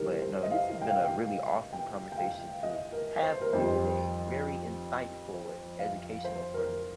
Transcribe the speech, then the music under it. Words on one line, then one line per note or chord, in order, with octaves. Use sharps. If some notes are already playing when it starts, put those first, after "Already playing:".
But, no, this has been a really awesome conversation to have with you today, very insightful and educational for me.
Already playing: C2 C3 D#3 G3 A#4
C5
D#5
F5
G5
F5
G5
G5
G5
F5
D#5
A#4
C5
A#4
F2 D#3 G3 C5
C5
F5
C5
A#4